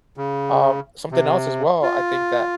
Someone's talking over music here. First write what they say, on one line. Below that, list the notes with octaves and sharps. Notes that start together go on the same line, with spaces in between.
Um, something else as well, I think that
C#3
C3
F4